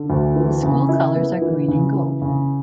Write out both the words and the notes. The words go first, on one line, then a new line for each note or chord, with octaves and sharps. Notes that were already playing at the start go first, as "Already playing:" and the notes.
The school colors are green and gold.
Already playing: D3
D2
E3
C#3
E4
B3
E3
C#3
E3
C#3